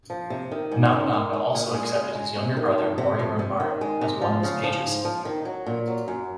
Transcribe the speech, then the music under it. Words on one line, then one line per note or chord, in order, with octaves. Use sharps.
Nobunaga also accepted his younger brother Mori Ranmaru as one of his pages.
F3
C3
D#3
G#2
D#3
D#3
G#3
A#2
G#3
C#3
G#3
C3
D#3
F2
C3
F2
C3
D#3
G#3
C3
F3
C#3
F3
G#2
F3
D#3
F#3
A#2
F#3
F#2